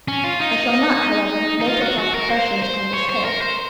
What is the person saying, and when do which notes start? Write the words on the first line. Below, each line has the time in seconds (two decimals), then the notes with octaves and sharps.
I shall not, however, multiply professions on this head.
0.08 C#4
0.24 F4
0.40 D#4
1.61 D#4
1.67 F4
1.82 F#4
1.99 F#4
2.15 A#4
2.30 C5
2.62 C5
2.93 C#5
3.09 C5
3.25 A#4
3.41 C5